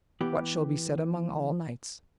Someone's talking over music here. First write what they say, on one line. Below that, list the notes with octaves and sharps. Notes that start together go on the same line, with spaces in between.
What shall be said among all knights?
E3 B3 G4